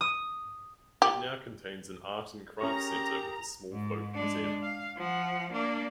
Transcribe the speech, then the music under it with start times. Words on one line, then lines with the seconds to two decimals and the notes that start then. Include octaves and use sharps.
It now contains an art and craft centre with a small folk museum.
0.01 D#6
1.02 G4
2.61 C#4 G4 G#4 A#4 A#5 C#6
3.73 G#2
4.14 G#3 D4
4.63 F5
4.97 F3 F#5
5.53 A#3 D4